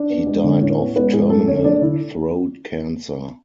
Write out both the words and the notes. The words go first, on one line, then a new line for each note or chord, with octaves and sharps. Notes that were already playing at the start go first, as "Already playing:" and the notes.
He died of terminal throat cancer.
Already playing: D4 D5
B3
G#3
D3
A2 C#4 C#5
B3
G#3 B3 B4
A2 G#3 G#4
A3 A4
D3 C#4 C#5
A3 D4 D5
D3 E4